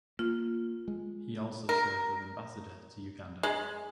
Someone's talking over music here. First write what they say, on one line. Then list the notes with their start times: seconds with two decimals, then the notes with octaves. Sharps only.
He also served as Ambassador to Uganda.
0.19 A#3 F4
0.88 G#3
1.69 A#4
3.43 G#3